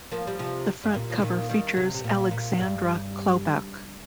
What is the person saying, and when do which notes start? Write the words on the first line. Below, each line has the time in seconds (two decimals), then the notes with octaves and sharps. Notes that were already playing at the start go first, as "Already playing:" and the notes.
The front cover features Alexandra Klobouk.
0.11 F3 A#3
0.27 G3
0.39 C3 F3
0.84 G2
0.94 A#2
1.10 F3
1.22 A#2 D#3
1.49 D#3 G3
1.77 C3
1.95 C3
2.04 A#2
2.31 A#2
2.59 G2